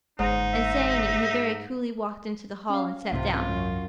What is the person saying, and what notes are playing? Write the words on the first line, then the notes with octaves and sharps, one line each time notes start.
And saying it, he very coolly walked into the hall, and sat down.
G1 G#2 D#4
E5
C#4 F5
C2 G#2 C3 E3 F4
F#2